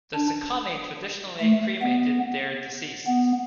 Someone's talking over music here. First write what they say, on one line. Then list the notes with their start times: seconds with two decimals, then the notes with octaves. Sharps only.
The Sekani traditionally cremated their deceased.
0.14 D4
1.40 A3
1.82 B3
3.07 B3